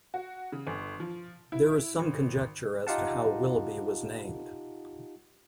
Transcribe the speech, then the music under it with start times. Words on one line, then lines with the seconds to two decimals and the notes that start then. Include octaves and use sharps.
There is some conjecture as to how Willoughby was named.
0.14 F#4
0.52 C#3
0.67 G1
1.00 F3
1.52 E4
1.99 G#1
2.87 D#4 F4 G4 F5 F#5 A5